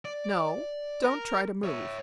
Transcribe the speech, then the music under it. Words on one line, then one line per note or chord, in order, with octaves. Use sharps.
No, don't try to move.
D5
A#4
C#5 E5